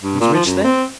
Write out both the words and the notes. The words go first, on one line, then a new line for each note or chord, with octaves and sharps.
"He is rich, then?"
G2
A#2
F3
F#2
C4